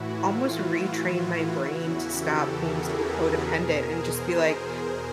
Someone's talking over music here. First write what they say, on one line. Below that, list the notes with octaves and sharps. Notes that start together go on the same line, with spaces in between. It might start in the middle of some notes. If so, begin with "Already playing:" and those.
almost retrain my brain to stop being so codependent and just be like,
Already playing: A2 E3 E4 F#4
F4
E4
F4
E2 C#3 E3 E4 F#4
G4 A4
G#4 A#4
A4 B4
E2 B2 G#4 A#4
A#4 C5
G#4 A#4